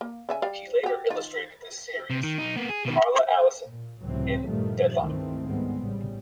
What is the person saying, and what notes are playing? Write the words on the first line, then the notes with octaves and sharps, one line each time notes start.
He later illustrated the series "Carla Allison" in "Deadline".
A#3
C#3 E5 G#5
G3 D5 F5
F#4 G4
D#3 F4
C3
D#3
B1 D#4
A#3 B3
G#4
B2 D#3
A#2
C#2 A2 C3 E3 F#3 C4
G2 A#2 D#3 F3 G3 A3
C#2 G2 D#3 E3 A3 C4
G#2 D#3 G3 G#3 B3 C4
A1 C#3 G3